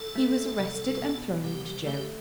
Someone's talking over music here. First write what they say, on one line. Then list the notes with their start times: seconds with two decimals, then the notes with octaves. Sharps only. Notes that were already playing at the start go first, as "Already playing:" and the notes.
He was arrested and thrown into jail.
Already playing: A4
0.16 A3
0.59 C2
1.01 B2
1.44 C2 G4
1.66 G4
1.87 A3 G4